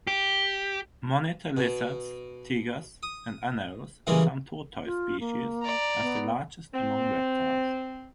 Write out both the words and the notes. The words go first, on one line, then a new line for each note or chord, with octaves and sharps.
Monitor lizards, tegus and anoles and some tortoise species have the largest among reptiles.
G4
B2
D#6
C#3 E3 G3 G#3 A#4
F4
A#3
D5 A#5
B3
C4